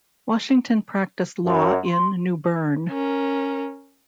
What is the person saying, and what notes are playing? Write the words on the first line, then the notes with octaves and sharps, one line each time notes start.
Washington practiced law in New Bern.
F#2
C6
C#4 A#4